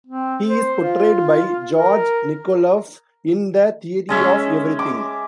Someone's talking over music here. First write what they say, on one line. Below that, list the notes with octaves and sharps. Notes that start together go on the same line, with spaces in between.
He is portrayed by Georg Nikoloff in "The Theory of Everything".
C4
C5
F4
A#4
G#3 C#4 E5
D6